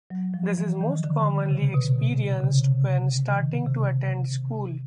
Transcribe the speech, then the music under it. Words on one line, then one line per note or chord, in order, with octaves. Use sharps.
This is most commonly experienced when starting to attend school.
F#3
F3
E3
D#3
D3
C#3
C3
B2
C#3
C3
D#3
C3